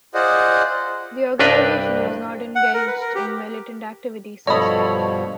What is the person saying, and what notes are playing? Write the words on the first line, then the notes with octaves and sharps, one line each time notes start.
The organization has not engaged in militant activity since then.
F4 G#4 C5 D5 D#5 F#5
C2 G2 D4 A#4 B4 G5
F#5
A#4
B4
A#4
G4
G2 B2 F3 A4 C#5 D#5 B5 D#6